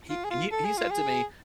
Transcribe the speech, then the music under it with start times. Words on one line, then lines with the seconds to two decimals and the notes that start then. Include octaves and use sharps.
he he he said to me,
0.10 F4
0.24 G#4
0.31 F4
0.52 A4
0.65 G#4
0.77 F4
0.90 G#4